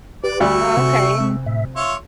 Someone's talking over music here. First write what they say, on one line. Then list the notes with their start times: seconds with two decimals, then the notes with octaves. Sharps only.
Oh, okay.
0.24 G4 B4 D5
0.40 D2 G3 A3 F#4 D5 E5 C#6
0.77 C3
1.20 G#3 C4
1.46 A2 E5
1.76 F4 C#5 E5 C#6